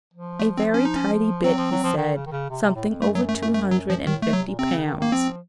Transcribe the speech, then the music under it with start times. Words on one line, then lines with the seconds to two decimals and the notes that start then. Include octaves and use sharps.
'A very tidy bit,' he said; 'something over two hundred and fifty pounds.
0.14 F3
0.40 A3
0.57 C4
0.74 C#4
0.85 D#4
0.96 C#4
1.44 F#3 C4
1.57 F3
1.71 F#3
1.84 F3
1.97 D#3
2.15 C#3
2.26 D#3
2.32 C#3
2.50 C3
2.62 C3
2.75 A2
2.89 F2
3.02 F#2 A3
3.15 F#3
3.29 A3
3.42 A3
3.55 A3
3.71 F#3
3.90 F3
4.07 A2 D#3
4.22 A3
4.33 C3 F#3
4.47 A#2
4.59 C3 C4
4.72 C#3
4.85 D#3
4.98 D#3 A#3
5.12 F3 C4